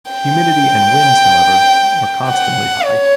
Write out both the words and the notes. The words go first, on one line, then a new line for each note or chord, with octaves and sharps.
Humidity and winds, however, are constantly high.
G5
F#5
C#5